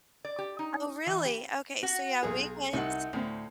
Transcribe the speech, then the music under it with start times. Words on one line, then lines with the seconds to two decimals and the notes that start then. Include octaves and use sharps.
Oh really, okay, so yeah, we went
0.25 D5
0.38 G4
0.59 D#4
1.07 E3
1.26 G4
1.83 F#4
2.23 B1 G#4
2.73 C2 C3 D#4 F#5
3.13 D2 A2 C4